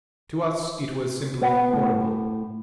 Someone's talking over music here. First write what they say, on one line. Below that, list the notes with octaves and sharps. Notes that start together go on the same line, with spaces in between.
To us it was simply horrible.
B3
A2